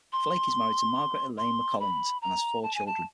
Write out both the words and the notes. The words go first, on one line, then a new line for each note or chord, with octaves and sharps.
Flake is married to Margaret Elaine McCollins and has four children.
C6
C6
B5
A#5
A5
G#5
A5